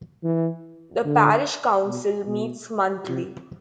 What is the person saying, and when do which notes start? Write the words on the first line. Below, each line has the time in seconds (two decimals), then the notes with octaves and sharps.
The Parish Council meets monthly.
0.24 E3
1.05 D3
1.86 B2
2.27 B2
3.09 C3